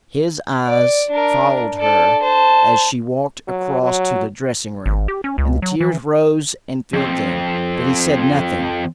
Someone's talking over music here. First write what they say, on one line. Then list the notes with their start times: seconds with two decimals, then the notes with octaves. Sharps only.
His eyes followed her as she walked across to the dressing-room, and the tears rose and filled them, but he said nothing.
0.66 D5
1.10 D4 A#4
1.79 A4 D5
2.23 C5 A5
3.48 F#3
3.83 F#3
4.86 G#1
5.08 G4
5.24 C#4
5.38 C#2
5.62 F#3
5.81 E3
6.94 F2 C4